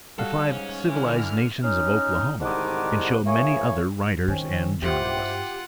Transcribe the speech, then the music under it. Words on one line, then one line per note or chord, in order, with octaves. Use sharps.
The Five Civilized Nations of Oklahoma can show many other writers and journalists.
F#3 G3 A4 F5
G#2 C#4
D3 E3 F6
C#4 D#4 F6
C2 G#2 D3 D#3 F#5 D6
A#3 E4 G#4 C#5
D#3 C4 C#4
G2 E4 F4 G4 C5 F#5 G5